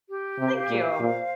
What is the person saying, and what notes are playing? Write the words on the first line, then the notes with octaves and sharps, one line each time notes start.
Thank you!
G4
C3
F5
A#2
A#2 C5